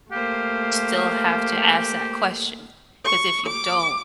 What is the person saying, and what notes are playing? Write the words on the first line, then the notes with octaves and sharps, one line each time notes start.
still have to ask that question, 'cause if you don't,
A3 A#3 G4 C5 F5
C#6
D6